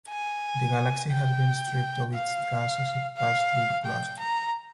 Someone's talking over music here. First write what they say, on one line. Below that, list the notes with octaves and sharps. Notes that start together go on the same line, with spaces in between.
The galaxy has been stripped of its gas as it passed through the cluster.
G#5
G5
F5
F5
G5
A#5